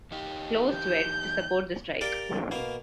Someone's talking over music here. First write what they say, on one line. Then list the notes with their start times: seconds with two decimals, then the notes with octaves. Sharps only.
Closed Wed. to support the strike.
0.11 E2 D#4 G4
0.72 G6
2.01 G4 A#4 D5 F5 G5
2.51 B2 A#3 F5